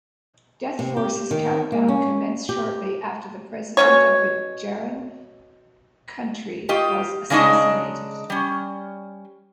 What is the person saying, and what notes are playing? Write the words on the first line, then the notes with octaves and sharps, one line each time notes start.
Death Force's countdown commenced shortly after the president of a Jerran country was assassinated.
C3
G4
D#3
A#3
C#4
G4
B2 C#4 C#5
F4 G4 D#5
C#3 G#3 D4 D#4 D#5
G3 C#4